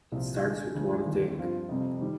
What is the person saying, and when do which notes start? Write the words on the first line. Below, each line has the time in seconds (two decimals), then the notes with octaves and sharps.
It starts with one thing.
0.12 C2 A#2 F3
0.43 D3 G#3 D4
0.75 D2 D3 F3 G#3
1.05 D#2 D3 G3
1.38 G2 F3 C4 F4
1.69 F2 C3 G3 C4
2.01 D#3 G3